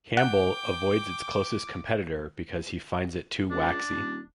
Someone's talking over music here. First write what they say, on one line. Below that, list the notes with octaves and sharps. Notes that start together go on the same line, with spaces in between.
Campbell avoids its closest competitor because he finds it too waxy.
F#5 G5 D6
C#2 D4
D#1